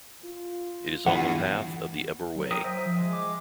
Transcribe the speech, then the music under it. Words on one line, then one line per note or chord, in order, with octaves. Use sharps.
It is on the path of the Ebor Way.
F4
E2 G2 E3 F#5
F#3
A#4 G5 D#6
C5 E5
F3
G#3
D6